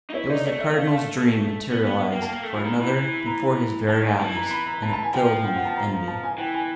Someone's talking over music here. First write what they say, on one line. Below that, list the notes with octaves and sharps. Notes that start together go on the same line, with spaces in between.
It was the Cardinal's dream materialized for another before his very eyes, and it filled him with envy.
D#4
E4 C#5
D#4 D5
A3 C#5
E5
F5
F5
B3
B3
F#5
A#3 G5
A#3 A5
A#3
A3
F3 B5
D#3 A#5
E3 B5
E3
A#5
D#3 A5
G#5
E3 A5
A#5
B5
A#5
A5
A5
G#5
F3 G5
G5
F#5
A5
A#5
A#5
A5
G#5
E3 G5
G#5